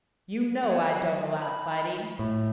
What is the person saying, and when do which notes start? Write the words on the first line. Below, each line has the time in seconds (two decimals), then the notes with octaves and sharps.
"You know I don't allow fighting."
0.64 F#3 F#4
1.42 B5
2.19 A2